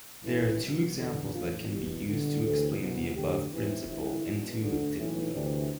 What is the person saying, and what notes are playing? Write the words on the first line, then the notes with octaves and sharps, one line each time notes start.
There are two examples that can be used to explain the above principle intuitively.
A1 A2 E3
C2 B2 E4
E2 D3
A1 A2 E3 F4
E2 B2 G4
G1 G2 D3
D2 C3 E3 A4
C2 B2
D2 D3 G4
E2 C3 E3
G1 F2 C3 E3 E4
E2 B2
D2 D3
B1 A2 E3
D2 C3 E3 D4